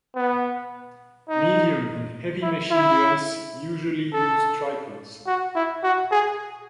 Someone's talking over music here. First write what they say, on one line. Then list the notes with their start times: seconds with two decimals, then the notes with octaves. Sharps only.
Medium and heavy machine guns usually use tripods.
0.15 B3
1.29 D#4
2.42 E4
2.71 E4
4.13 A4
5.27 F#4
5.55 E4
5.83 F#4
6.11 G#4